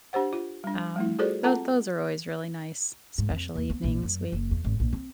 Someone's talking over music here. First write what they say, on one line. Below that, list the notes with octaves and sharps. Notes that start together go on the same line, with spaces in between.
um, tho those are always really nice, special evenings. We
D4 G4 C5 F#5
F4
G3 D4
G3 A3 E4
F4 F#4 G#4 A4 C5 D5
C4 F4 A4 F#5 A5 A#5
G#2
F2
D#2
B3
A#1
F#2
F#1
E2
G#1
A#1
C4